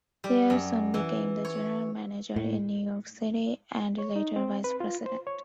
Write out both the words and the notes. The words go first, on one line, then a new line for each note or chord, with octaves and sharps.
Thayer soon became the general manager in New York City and later vice-president.
G3
F#2
E3
C#5
A2
C#5
D#4
C4
B4
F4
C5
C#5